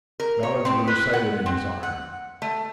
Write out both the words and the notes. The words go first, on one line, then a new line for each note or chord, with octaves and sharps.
Ballads were recited in his honour.
A#4
C#5
C4
B4
F#5
C4
F#5
A3